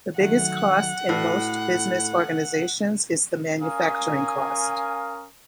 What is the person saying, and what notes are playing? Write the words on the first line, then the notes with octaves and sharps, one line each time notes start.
The biggest cost in most business organizations is the manufacturing cost.
D#3 F#3 A3 F#5
A2 F#4 B4 D5
C#4 A#4 F5 G#5 D#6